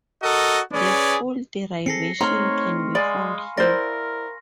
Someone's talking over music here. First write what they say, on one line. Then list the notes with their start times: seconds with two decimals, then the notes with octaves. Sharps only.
The full derivation can be found here.
0.23 F#4 A4 A#4 D#5
0.73 C#4 G#4 B4 D5
1.86 C4 G#4 A4 A#6 C7 C#7
2.21 A3 C4 D#4 C#5 A#5 C6 C#6 F6
2.95 G#3 D5 F5 G#5 B5
3.57 E4 A#4 C5 D5 A#6